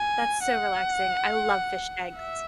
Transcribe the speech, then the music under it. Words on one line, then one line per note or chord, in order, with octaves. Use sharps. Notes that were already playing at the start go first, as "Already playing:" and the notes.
That's so relaxing, I love fish tanks.
Already playing: G#5
F#5
E5